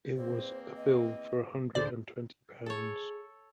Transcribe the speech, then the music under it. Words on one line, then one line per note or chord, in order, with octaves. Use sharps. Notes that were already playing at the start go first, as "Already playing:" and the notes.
It was a bill for a hundred and twenty pounds.
E2 A#3 C4 C5
D#5
D2 A2 D3 G#4 C5 D5
G#4 A4 C#5